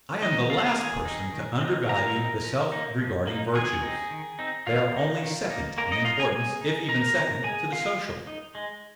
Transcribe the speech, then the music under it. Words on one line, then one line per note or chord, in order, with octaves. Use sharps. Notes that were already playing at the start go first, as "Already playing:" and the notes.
I am the last person to undervalue the self-regarding virtues; they are only second in importance, if even second, to the social.
D#3 D#4 D#5
C4 D#4 F4 F5
D#3 G#4 G#5
C4 D#4
D#3
C4
D#4
D#3 A#4 A#5
C4 D#4
F3
A#3 D#4
F3
A#3 D#4
D#3 G#4 G#5
C4 D#4
D#3
C4 D#4
D#3 F4 F5
A#3 D#4
D#3
A#3 D#4
G#3 A#3 A#4
D#4 D#5
D#4 F4 F5
G#4 G#5
G#3 G#4 G#5
D#4
G#3 A#4 A#5
C4 D#4 A#4 A#5
G#3 G#4 G#5
C4 D#4 F4 F5
G#3
D#4
G#3